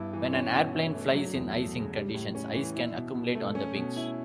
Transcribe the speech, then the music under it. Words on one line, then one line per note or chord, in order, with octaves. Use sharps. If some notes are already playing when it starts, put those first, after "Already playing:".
When an airplane flies in icing conditions, ice can accumulate on the wings.
Already playing: G2 B3 E4
E3
C#4
B2
E4
A3
F#3
E2
A3
C#3
G3
A2
C#4
E3
E4
B2
B2
A3
C#4
B2
E4